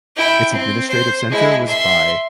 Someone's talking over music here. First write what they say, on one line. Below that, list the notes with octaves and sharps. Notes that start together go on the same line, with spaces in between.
Its administrative centre was Buy.
E4 G5
C4
C5
G#3 E4
E5 C6